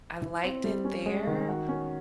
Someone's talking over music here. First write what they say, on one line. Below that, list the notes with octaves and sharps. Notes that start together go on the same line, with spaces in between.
I liked it there
E4
C4
G3
C#4
G#3
D#3
F#4
C#4